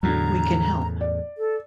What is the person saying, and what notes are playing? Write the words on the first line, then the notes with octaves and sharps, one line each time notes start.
We can help.
E2 A2 D3 F#3 A#5
D5
A4